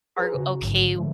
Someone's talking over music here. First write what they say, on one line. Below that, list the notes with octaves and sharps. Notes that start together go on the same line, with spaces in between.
are okay with
G#4 B4 C5 A#5
C#3 F#4
A1 G#2 D3 F#3
D3 F3 G#3 A3